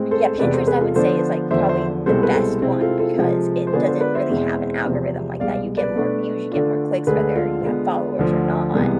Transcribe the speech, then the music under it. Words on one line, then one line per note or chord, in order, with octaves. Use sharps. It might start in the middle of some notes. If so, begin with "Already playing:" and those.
Yeah. Pinterest, I would say is, like, probably th the best one, because it doesn't really have an algorithm like that; you get more views, you get more clicks whether you have followers or not,
Already playing: A2 G#3 C4
A4 C5
E2 C3 G#3 B4 D5
A4 C5
G#4 B4
F4 A4
D3 F3 B3 D4 A4 C5
E2 D3 F3 C5 E5
C5 E5
C2 B2 G#3 C4 E4 A4 C5
B4
A4 C5
C3 G#3 C4 E4
F4 A4
F4 A4
C3 F3 G#3
C5
D3 G#3 B3 D4 F4 G#4 B4
A4 C5
B4 D5
C5 E5
E2 B2 G#3 C4 E4
E2 C3 F3 G#3 C4
C2 B2 G#3 D5 F5
B4 D5
B2 A3 D4
D3 A3 D4 F4
D2 D3 G#3 G#4 B4
F4 A4
D3 G#3 B3
D2 D3 F3
C2 C3 E3 G#3 B3 G#4